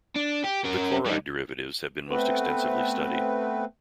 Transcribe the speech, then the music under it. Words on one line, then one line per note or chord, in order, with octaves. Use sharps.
The chloride derivatives have been most extensively studied.
D4
G4
C#4 A#4
G3 D#4
A3 B3 C4 B4